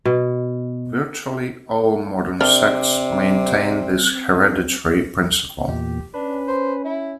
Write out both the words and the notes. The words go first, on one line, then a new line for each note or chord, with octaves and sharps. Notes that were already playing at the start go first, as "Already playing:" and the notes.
Virtually all modern sects maintain this hereditary principle.
B2
C3 C4 D4 A#4 D5
E2 A#2 G4
C#4 D4 B4
C5
E4